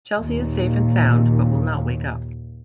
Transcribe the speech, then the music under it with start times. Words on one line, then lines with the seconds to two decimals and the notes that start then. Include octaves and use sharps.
Chelsea is safe and sound, but will not wake up.
0.18 D#2 A#2